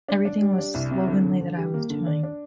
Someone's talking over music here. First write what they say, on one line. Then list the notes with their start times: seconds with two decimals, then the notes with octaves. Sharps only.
Everything was slovenly that I was doing.
0.08 D4
0.25 D4
0.41 G3
0.58 D4
0.74 C2
0.91 C3
1.08 D3
1.24 D3
1.41 D3
1.58 G3
1.74 A#3
1.90 D3
2.06 D4
2.23 D4